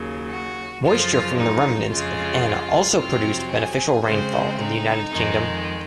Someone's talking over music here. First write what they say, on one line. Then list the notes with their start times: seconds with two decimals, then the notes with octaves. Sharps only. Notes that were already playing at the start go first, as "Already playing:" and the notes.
Moisture from the remnants of Ana also produced beneficial rainfall in the United Kingdom.
Already playing: D#2 C#3 F#3
0.30 F#4
0.84 F#2 C#3 F3 F4
1.38 D#4
1.91 F2 C#3 G#3 F4
2.98 F2 C3 F#3 C4 F4
3.52 G#4
4.05 C#3 G#3 C4 C5
4.60 D#4
5.13 F2 D#3 G#3